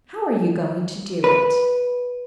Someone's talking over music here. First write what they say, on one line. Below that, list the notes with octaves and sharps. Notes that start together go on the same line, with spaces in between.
"How are you going to do it?"
B4